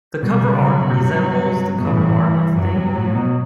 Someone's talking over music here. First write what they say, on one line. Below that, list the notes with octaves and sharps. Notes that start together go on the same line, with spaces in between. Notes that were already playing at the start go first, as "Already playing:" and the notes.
The cover art resembles the cover art of "Fame".
B2 G3
C#3
C#3 F#3
B2
A2
G2
B2 E3
A2
G2
A2
G2
F#2 F#3
F#2
G2
A2
A2
B2